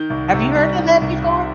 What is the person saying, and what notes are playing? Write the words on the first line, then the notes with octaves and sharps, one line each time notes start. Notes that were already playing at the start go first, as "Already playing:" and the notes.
Have you heard of that before?
Already playing: D#3 G6
C2
C3
G3
D#3
C2
C3